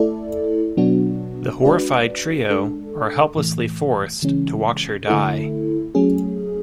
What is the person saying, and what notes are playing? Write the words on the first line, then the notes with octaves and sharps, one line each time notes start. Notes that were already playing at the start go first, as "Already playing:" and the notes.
The horrified trio are helplessly forced to watch her die.
Already playing: A3 E4 A4 D5
B2 F#3 B3 D4 F#4
G#3 D4 F#4 B4 D5
G#3 D4 A4
A2 E3 A3
C#3 E3 G#3 C#4
D3 A3 E4 A4
F#3 A3 C#4 G#4